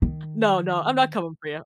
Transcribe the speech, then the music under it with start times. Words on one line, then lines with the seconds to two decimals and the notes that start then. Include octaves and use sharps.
No, no, I'm not coming for you.
0.02 D#3